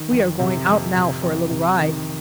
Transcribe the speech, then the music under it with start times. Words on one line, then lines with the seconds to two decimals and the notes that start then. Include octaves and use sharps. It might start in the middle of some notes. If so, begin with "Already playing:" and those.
We are going out now for a little ride.
Already playing: D#3
0.11 F2
0.39 C3
0.67 F2
0.95 C3
1.22 F2
1.50 C3
1.79 D#3